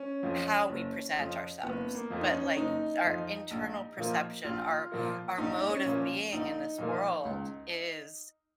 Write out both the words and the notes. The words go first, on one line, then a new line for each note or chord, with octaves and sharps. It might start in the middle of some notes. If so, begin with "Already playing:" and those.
how we present ourselves, but, like, our internal perception, our our mode of being in this world is
Already playing: C#4
F2 F3
F#1
F2 F3
F#1 B3
A#3
F2 F3
D#4
C#4
F#1 D#4
F2 F3
A#1
A#2 F3 A#3
A#1 F4
A#2 F3 A#3
A#1 D#4
C#4
A#2 F3 A#3
A#1 D#4
A#2 F3 A#3
C#2